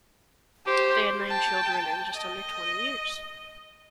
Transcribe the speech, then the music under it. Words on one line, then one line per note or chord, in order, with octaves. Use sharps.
They had nine children in just under twenty years.
G4 C5
G5 A5
D#5